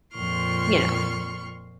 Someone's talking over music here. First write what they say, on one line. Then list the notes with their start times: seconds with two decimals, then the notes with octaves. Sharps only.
you know
0.13 F2 A#2 C6 C#6 F6